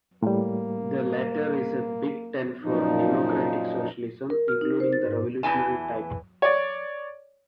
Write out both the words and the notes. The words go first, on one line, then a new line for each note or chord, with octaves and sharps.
The latter is a big tent for Democratic Socialism, including the Revolutionary type.
A2 G3 A#3
F#2 A#2 F3 D#4
A#4
F6
D#4
C5
A6
G#2
E2 E3 G#5 A5
C#5 D5